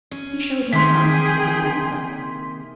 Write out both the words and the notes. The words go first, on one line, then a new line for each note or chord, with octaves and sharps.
He showed no signs of having done so.
C#4
C3 D#3 A#3 G#4 G5 C6 B6